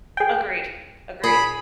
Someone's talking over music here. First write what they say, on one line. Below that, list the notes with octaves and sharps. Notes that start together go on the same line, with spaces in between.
Agreed. Agreed.
G#4 G5
A#2 G#4 B5